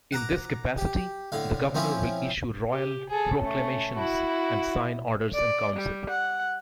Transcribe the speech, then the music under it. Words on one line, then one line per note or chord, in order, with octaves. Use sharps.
In this capacity, the governor will issue royal proclamations and sign orders in council.
F#5 A#5 D6
G4
A2 D3 F5
F3 C4 C#4 E4 F4
G4
G#4 A4
A3 C#4
E4 F#4
D5
G3
F#5